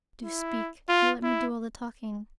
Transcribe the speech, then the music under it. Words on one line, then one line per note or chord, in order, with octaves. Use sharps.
Do speak! You let me do all the talking.
E4
F4
E4